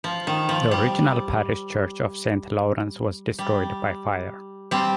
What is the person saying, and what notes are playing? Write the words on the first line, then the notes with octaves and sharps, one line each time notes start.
The original parish church of Saint Lawrence was destroyed by fire.
F3
D#3
F3
G3
G3
G3 C4